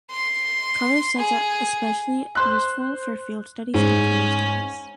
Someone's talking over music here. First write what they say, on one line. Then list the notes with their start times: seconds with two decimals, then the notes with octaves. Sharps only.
Colors sets are especially useful for field studies and color studies.
0.11 C6
1.18 G#4
2.35 C5 C6 F#6
3.74 G#2 C#4